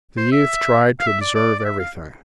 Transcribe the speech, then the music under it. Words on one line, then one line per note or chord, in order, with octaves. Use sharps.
The youth tried to observe everything.
C5
E5
F5
E5
D5
D5
D5
E5
F5